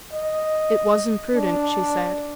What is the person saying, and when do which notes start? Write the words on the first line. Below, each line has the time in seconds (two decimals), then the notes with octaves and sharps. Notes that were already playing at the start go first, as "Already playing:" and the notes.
"It was imprudent," she said.
0.13 D#5
1.35 D4